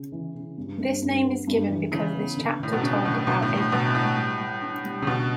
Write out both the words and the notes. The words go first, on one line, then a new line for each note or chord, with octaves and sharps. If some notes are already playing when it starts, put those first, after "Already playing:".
This name is given because this chapter told about Abraham.
Already playing: C#3
E3
C#3
G2
G2
G2
B3
G2
E3
C#3 E3
B3
D3
A2 D3
B2
C#3 D4
A2 D3
B2 D3
A2
D3
A2
B2 D3
A2 A3
G3
G3
D4
G3
C#3
B2 D3